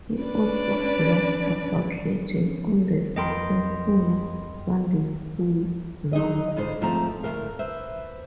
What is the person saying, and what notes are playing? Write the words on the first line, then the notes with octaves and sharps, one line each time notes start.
He also blogs about religion on the Secular Sunday School blog.
C#4 D4 B4 D5
F2 B3 A#4 D#5 G5 C6
F#3 D#4 G#4 D#5
F2 G#2 D3 D#4 C5
G#2 F3 A3 C4 A5 A#5
D2 D#3 A3 A#4 F5
B4 C5 E5